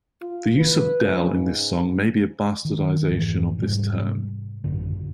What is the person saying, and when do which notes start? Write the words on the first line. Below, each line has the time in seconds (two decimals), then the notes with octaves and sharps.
The use of "dell" in this song may be a bastardisation of this term.
0.21 F4
0.58 B4
0.99 C#3
1.29 G#2
2.65 D#3
3.11 F2 G#2 E3
3.59 G#2 C3 G3 G#3
4.64 A1 F#2 D3